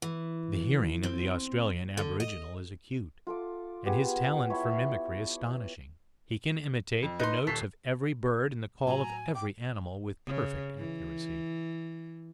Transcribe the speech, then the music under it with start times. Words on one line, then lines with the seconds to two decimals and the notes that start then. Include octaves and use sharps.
The hearing of the Australian aboriginal is acute, and his talent for mimicry astonishing; he can imitate the notes of every bird and the call of every animal with perfect accuracy.
0.02 E3
1.03 C4
1.97 D3
2.20 D#5
3.27 F4 A4 D6
3.85 B3 G4 G#4
4.50 E4 C#5 A5 B5
7.02 F2
7.20 D#4 B4 D#5 C6 F#6
7.47 D#1 A4 C#5 B6 C7
8.87 A2 F#3 G#5 A#5 F#7
9.35 G5 D6
10.26 C#3
10.77 E3